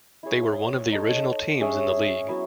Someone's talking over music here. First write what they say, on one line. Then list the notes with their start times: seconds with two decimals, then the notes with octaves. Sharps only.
They were one of the original teams in the league.
0.23 E4 G#4 C#5
0.92 D#4 A4 C#5
1.61 C#4 G#4 C#5 E5
2.28 F#3 B3 E4